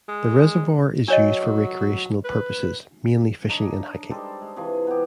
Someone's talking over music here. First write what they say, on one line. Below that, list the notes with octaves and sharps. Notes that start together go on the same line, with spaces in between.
The reservoir is used for recreational purposes; mainly fishing and hiking.
G#3
F#3 D4 C#5 D#5
B4
D4 D#4 C#5 D#5
G3 G#3 A4 C5
G#3
C3 E3 F4 G#4
B3 G4